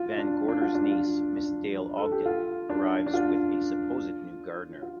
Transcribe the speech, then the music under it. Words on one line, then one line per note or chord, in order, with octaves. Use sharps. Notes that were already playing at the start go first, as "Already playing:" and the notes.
Van Gorder's niece, Miss Dale Ogden, arrives with a supposed new gardener.
Already playing: F4
D4
D4
F4
D4
F4
D4
A4
G4
F4
D4
D4
F4
F4